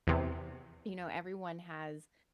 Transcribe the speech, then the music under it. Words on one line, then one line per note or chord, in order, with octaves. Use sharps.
you know, everyone has
E2 C3